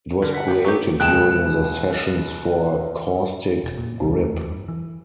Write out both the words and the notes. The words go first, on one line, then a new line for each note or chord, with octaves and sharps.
It was created during the sessions for "Caustic Grip".
D3 A#4
F#5 B6
B3 G4
F#3 B3 G4
C#2 B2 G5 A5 F#6 E7
E1
A#2
C2
A3
E2
G2
E3